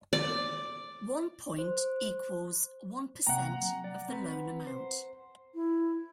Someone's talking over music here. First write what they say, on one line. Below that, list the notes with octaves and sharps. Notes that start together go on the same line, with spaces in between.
One point equals one percent of the loan amount.
D5
C5
C3 A#3 F#5 G5 A#5
F#3
D5
C4 B4
C5
E4